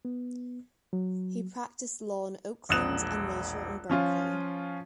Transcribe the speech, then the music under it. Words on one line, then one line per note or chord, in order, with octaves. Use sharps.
He practiced law in Oakland and later in Berkeley.
B3
F#3
E1 A#1 D#6 F#6 E7
F3 C#4 F4